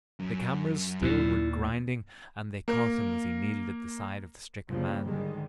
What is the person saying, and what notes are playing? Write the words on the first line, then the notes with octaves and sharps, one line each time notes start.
The cameras still were grinding and they caught him as he kneeled at the side of the stricken man.
F#2
D#2 A#2 E4
A#3 A#4
C#3 F3 G3 A#3
G#2 D3 D#3 G3 G#3